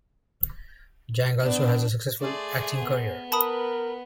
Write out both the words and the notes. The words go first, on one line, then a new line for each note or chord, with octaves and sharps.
Jang also has a successful acting career.
B3 D4
A3 G#4 D5 C6
B3
A#4 B4 A5 B5 D#6